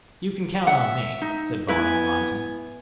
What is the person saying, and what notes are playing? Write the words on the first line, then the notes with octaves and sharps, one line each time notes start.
"You can count on me," said Barnum, rising.
E5 F#5
D#4
B3 E4 B4 G#5